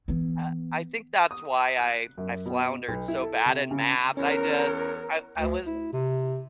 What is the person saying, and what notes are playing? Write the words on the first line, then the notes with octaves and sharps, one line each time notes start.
uh, I think that's why I I floundered so bad in math, I just I I was, uh
E3 B3
D#6
F#6
F#2
B2
B1
E4
A4
C3
C#3
E2 C#4 A#4 C#5
D2
E4
C3